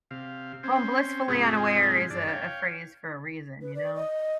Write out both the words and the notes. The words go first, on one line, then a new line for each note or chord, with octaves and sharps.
Well, blissfully unaware is a a phrase for a reason, you know?
C3 F5
C4 C#4 C5
G#2 C3 G#3 C4 F4 G#4
G2 D4 D5
C#5 F5 G5
B4
D5
D#5